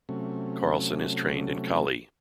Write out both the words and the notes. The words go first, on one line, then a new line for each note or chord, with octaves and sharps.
Carlson is trained in Kali.
C3 F#3 A3 C#4